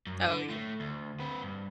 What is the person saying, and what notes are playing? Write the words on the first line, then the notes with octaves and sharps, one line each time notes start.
Oh, yeah.
F#2
D3
A2 A3
D2
C4 B4
G2